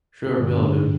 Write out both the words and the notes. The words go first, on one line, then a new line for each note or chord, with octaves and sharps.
Sure, we all do!
G2 D3 G3